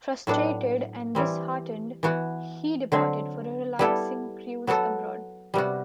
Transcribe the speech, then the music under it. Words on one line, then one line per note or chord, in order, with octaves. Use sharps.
Frustrated and disheartened, he departed for a relaxing cruise abroad.
A2 F#3 B3 D4
E3 G3 C4
E3 B3 F#4
D3 F#3 C4
G3 B3 E4 A4
F#3 B3 F#4 A4
C3 G3 B3 F#4